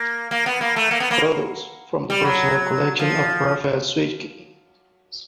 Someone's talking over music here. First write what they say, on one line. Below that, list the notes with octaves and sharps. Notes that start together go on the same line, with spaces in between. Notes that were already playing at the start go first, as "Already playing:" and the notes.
Photos from the personal collection of Rafal Swiecki.
Already playing: A#3
A#3
B3
A#3
A3
A#3
B3
A#3
G3
F#3
F3